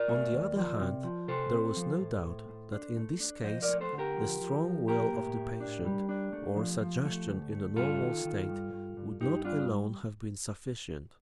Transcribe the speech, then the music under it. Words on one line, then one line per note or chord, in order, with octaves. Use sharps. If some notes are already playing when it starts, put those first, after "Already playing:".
On the other hand, there was no doubt that in this case the strong will of the patient or suggestion in a normal state would not alone have been sufficient.
Already playing: A#4 D5
A3
D#2
F3
C3
F3
C3 A4 C5
C4
F3
A2
A2
A2
D4
A3
D4
F3 C5 D#5
A#4 D5
A3
A4 C5
D3
G4 A#4
F3
F3
F3
A#3 G4 A#4
A2
A2
D4
G3
D4
A3
F3
F3
A3
D2
A3
G2 F4 A4
D#3
D#3
G2
G2
G2
G2 D#4 G4
G3 D4 F4